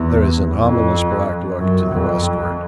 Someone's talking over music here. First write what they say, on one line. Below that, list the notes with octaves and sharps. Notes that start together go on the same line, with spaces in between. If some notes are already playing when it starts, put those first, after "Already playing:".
There is an ominous black look to the westward.
Already playing: E2
F2
F#2
F2